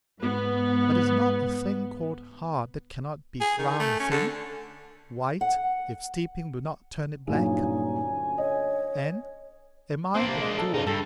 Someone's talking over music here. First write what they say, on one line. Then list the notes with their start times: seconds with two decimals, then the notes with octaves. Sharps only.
But is not a thing called hard that cannot be ground thin; white, if steeping will not turn it black? And am I a gourd?
0.19 G#2 B3
3.41 G#4
3.58 D#3
3.80 A3
4.00 C#4
4.11 D3
5.41 F#5
7.27 D2 G2 A#2 F#3 C#4 D#4 G#5
8.38 C#5 D#5
10.15 A#3 C4 D4
10.28 C3
10.41 G#3
10.58 A4
10.74 C#3 D#4 F4
10.87 G2 A4